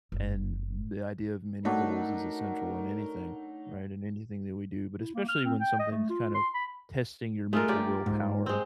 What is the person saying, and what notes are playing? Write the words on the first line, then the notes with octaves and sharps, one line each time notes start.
and the idea of many goals is essential in anything, right, in anything that we do, but especially when something's kind of testing your mental willpower
F#1
F#3 A3 D4 D#4 F#4 A#4
E4
A#3
F6
C4
G5
D#5
A3
F4
C6
B5
G#3 A3 F4 A#4
A#3 G4 D5
G#2
G#3 C4